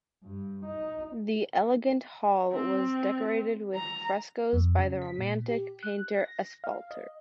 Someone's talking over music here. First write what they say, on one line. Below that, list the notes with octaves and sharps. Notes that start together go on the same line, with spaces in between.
The elegant hall was decorated with frescoes by the Romantic painter Espalter.
G2
D#4
C4
A#5
F2
C#3
B6
A#2
G4
F#6
A#6
F5
D#5